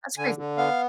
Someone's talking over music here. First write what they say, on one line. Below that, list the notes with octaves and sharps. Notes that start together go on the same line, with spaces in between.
that's crazy.
D3 G#5
D3
B3 F5